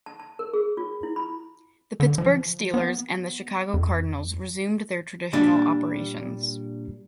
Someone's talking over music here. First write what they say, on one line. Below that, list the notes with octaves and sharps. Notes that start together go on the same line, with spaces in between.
The Pittsburgh Steelers and the Chicago Cardinals resumed their traditional operations.
A5
A5
A#4
G#4
F4
E4
B5
D3
F3
B3
F2
A#2 G3 D4